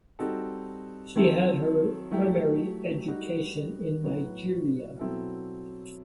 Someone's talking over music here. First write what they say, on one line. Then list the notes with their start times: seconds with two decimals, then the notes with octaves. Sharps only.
She had her primary education in Nigeria.
0.19 G3 C4 D#4 F#4 A4
1.15 D#3 F#3 C4 E4 A4
2.11 F#3 A3 E4 G4
3.08 G3 D#4 F#4
4.04 A2 F#3 B3 F#4
4.99 B2 F#3 C4 E4 A4